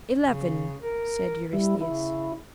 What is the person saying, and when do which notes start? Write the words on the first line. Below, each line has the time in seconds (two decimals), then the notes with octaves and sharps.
"Eleven," said Eurystheus.
0.23 C#3
0.82 A#4
1.53 G3 E4
1.81 C#3 E4